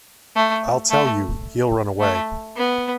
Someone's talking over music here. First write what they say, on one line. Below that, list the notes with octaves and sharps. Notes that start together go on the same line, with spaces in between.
I'll tell you, he'll run away.
A3
A3
A3
B3